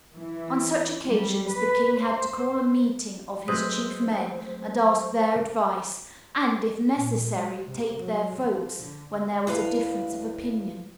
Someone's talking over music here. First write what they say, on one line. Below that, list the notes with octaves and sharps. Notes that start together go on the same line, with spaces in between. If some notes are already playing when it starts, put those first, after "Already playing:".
On such occasions the king had to call a meeting of his chief men, and ask their advice, and, if necessary, take their votes when there was a difference of opinions.
E3
G3
B4
C5
F#3 G#3 A3 C4 B4 C5 D#6
A#2
G#3
C3
F#3
F3
D3
D2 A2 B4 F5